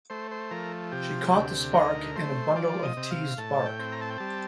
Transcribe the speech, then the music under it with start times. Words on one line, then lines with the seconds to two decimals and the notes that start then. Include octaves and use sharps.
She caught the spark in a bundle of teased bark.
0.10 A3 C5
0.31 C5
0.51 F3 A#4
0.91 C3 G4
1.33 D2
1.74 D#4 A#4
2.16 A3 C5
2.56 F3 D5
2.83 D#5
2.97 C3
3.11 F5
3.38 A2 A5
3.66 G5
3.79 C4
3.92 A#5
4.01 A5
4.10 G5
4.18 G3 A5